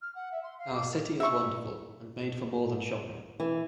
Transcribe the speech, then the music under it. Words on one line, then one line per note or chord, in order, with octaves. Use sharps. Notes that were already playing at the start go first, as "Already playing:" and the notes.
Our city is wonderful and made for more than shopping.
F6
F#5
E5
C6
F5
D6
A#4
E5 C#6
E3